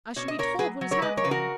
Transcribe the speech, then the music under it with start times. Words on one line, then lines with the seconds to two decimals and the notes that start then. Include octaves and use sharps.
"I should be told what is happening."
0.16 B2 C#5
0.28 D#5
0.38 B2 A#4 C#5
0.59 F#3 G#4 B4
0.81 F#3
0.91 A#4 C#5
1.02 G#3 B4 D#5
1.17 A#4 C#5
1.24 C#3 B4
1.31 F#4 A#4